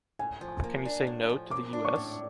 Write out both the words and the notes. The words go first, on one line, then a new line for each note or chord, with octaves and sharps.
Can you say “no” to the US?
A2 G#5
F3
A#3
D4
A2
F3
A#3 D6
D4
C#6
A2